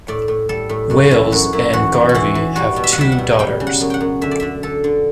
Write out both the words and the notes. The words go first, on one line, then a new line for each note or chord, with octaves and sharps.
Wales and Garvey have two daughters.
A2 D5
A2
G3 A4
A2
F#2 F#4
E3 E4
F#2 F#4
F#2 E4
E3 F#4
E3
F#4
E3 E4
E3
G3 F#4
B2
E5
F#5
G3 E5
F#5
B2
G3 G5
C#3
F#5
F#2
F#5 G5
F#2
D3 E5
D5
D3 E5
D3 A4
D3